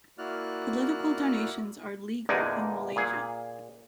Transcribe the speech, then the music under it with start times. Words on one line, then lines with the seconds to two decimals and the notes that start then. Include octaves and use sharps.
Political donations are legal in Malaysia.
0.18 A#3 E4 F#4 D5 F6 F#6
2.29 E2 A#2 D3 D#4 D5 G#5
2.96 A#2 G#4